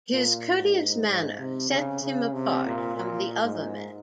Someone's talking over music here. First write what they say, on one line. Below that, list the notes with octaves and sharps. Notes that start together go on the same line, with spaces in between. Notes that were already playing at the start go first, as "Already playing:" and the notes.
His courteous manner sets him apart from the other men.
A#2
G#2
G#2
C3
C#3
C#3
C3
A#2
A#2
G#2